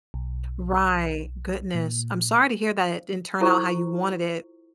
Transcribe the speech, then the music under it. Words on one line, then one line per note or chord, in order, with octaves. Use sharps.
Right, goodness, I'm sorry to hear that it didn't turn out how you wanted it.
B1
A#2
E4 F4 A4 C5 A#5 C#6